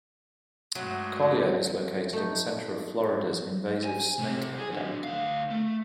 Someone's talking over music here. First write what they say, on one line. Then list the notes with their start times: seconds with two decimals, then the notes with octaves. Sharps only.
Collier is located in the center of Florida's invasive snake epidemic.
0.75 G2 F#3 G#3 A3
2.13 A3 D#4
3.85 G#5
4.19 C3 G3
4.58 G#4
4.71 F#3 D4
5.04 D2 F5
5.50 A3